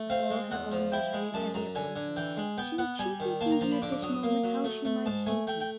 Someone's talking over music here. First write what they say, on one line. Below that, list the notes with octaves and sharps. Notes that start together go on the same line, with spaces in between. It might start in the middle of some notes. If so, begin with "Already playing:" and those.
With all her own misery heavy upon her, she was chiefly thinking at this moment how she might soothe him.
Already playing: A3
C4 F5
G#3
E2 F#5
F3
E4 G5
G#3
F#2 A5
F#2 A#5
D3 G#5
D3
E3 G5
G#3
B3 G5
B3 F#5
G3 G#5
D#3
A#3 A5
A#5
F3 A#5
B5
D3 D6
D6
F#3 D#6
D#6
A#3
F#3
A3
A3
G#2 A5
A3 G#5
A3 G5
G5